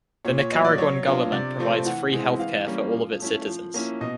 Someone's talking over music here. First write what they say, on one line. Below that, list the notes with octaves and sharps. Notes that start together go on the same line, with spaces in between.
The Nicaraguan government provides free health care for all of its citizens.
A#2 C#5
C#5
F#3 B3 D#5
D5
F#3 C#5
B3 D4 F4
C3 D5
F3 A3 C4 F4
E3 F#5
G#3 C4 E4
E3 F5
G3 A#3 C#4
F3
A3 C#4 E4
F3
A#3 C#4 E4
B2 D#5